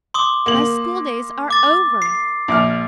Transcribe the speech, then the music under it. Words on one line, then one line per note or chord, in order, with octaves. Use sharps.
My school-days are over!
C6 D6 D#6
A#3 F#7
D6 A6
C7
A#1 D6 F6